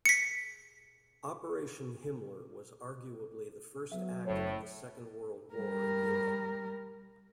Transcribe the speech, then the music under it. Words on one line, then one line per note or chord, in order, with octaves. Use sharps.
Operation Himmler was arguably the first act of the Second World War in Europe.
B6 C#7
F#3 B3 E5
F#1 A2 C5 C#5
G3 A#4